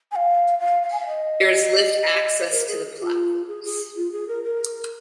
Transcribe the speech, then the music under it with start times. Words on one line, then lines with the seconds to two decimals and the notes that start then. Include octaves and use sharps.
There is lift access to the platforms.
0.12 G#5
0.16 F5
0.59 F5
0.83 F5
0.92 G#5
1.00 F5
1.07 D#5
2.41 C5
2.52 A#4
2.68 G#4
2.99 G#4
3.03 F4
3.48 G#4
3.64 G#4
3.96 F4
4.12 G#4
4.28 A#4
4.43 A#4